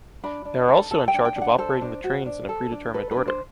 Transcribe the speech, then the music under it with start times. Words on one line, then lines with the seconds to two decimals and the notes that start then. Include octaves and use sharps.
They are also in charge of operating the trains in a predetermined order.
0.24 D4 B5
0.45 D4
0.68 A4
0.91 A4 A5
1.08 G5
1.14 D4
1.25 G5
1.36 D4
1.42 F#5
1.58 A4 C5
1.81 D4
2.04 F#4
2.26 D4
2.49 A4
2.72 D4
2.94 A4 B4
3.11 B4
3.17 D4
3.28 C5